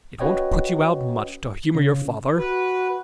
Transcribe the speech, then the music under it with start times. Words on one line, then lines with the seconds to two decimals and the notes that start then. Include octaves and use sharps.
It won't put you out much to humor your father!
0.19 C#4 F#4 B4 C#5 D#5 G5
1.75 C#3
2.38 F#4 B4